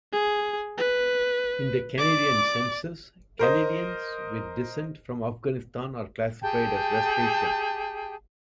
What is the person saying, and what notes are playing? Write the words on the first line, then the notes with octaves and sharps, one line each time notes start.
In the Canadian Census, Canadians with descent from Afghanistan are classified as West Asian.
G#4
B4
D5 D6
A#4 C5 D#5
G4 G#4 G5 A5